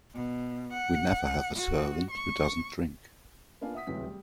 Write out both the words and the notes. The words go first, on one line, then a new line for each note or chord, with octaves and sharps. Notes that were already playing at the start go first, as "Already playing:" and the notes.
We never have a servant who doesn't drink.
B2
F#5
F#4
C#6
A#3 B3 D4 F4 F5 G#5
E5 F#5 D#6 B6
D1 C#2 C3 E3 F#3 B6
G3